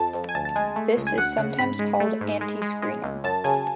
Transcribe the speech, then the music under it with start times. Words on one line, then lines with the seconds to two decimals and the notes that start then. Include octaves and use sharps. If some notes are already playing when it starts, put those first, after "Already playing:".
This is sometimes called "antiscreening".
Already playing: F2 A5
0.14 F2
0.29 G#5
0.35 D2 A5
0.45 A5
0.55 G#3 G#5
0.76 A3
0.97 C#2
1.07 G#5
1.17 D2 F#5
1.38 C#3
1.59 G#2 B5
1.79 G#3
2.00 A3
2.21 G#2
2.41 G#3
2.62 G#3
2.82 G#3
3.03 C#2
3.24 F#2 A5
3.44 C#3 G#5